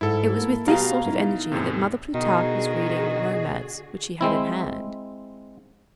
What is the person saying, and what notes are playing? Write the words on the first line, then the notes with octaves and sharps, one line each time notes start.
It was with this sort of energy that Mother Plutarque was reading the romance which she had in hand.
G#2 E4 A4
A#3
B2 A3 F#4 G4 F5 A#5
A3 D#4 E4
E2 A2 C3
B2 D3 D#3 F#4 G#4 D#5
G#3 C4 E4